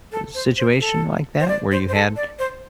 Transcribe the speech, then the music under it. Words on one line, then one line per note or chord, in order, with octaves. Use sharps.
situation like that, where you had,
A4
C5
C5
A4
C5
D5
C5
C5
A4
D5
C5